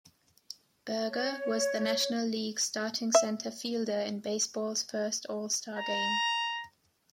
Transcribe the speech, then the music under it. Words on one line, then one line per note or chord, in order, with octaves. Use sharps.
Berger was the National League's starting center fielder in baseball's first All-Star Game.
C#5
E5
A#5